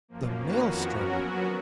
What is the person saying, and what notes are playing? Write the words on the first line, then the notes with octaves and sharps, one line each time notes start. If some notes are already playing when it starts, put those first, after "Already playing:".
The Maelstrom!
F#2 F3 A#3
D#3 A#3 C#4 F#4 B4
F2 F3 B3 F#4 A#4
F#3 C#4 F#4 A#4
F#3 B3 F#4